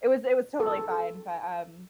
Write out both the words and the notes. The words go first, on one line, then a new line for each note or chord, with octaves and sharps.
it was it was totally fine, but, um,
A4